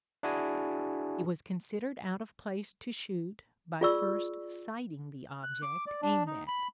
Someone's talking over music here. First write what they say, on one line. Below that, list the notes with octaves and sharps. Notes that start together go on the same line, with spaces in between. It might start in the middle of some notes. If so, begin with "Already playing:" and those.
It was considered out of place to shoot by first sighting the object aimed at.
D4 E4 F#4 G#4 G#5
F4 G#4 D5 C#6 E6
F#6
D6
D5
D4
D#4
B5